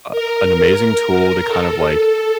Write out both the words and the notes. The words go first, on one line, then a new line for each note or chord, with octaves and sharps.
uh, an amazing tool to kind of, like,
A#4
A#4
A#4
A4